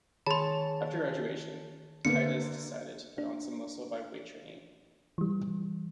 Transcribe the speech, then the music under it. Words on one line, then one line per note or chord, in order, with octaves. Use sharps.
After graduation Titus decided to put on some muscle by weight training.
D#3 G#4 C#5 A5 B5 C6
D3 A#3 B3 C#7
D4
E3 G3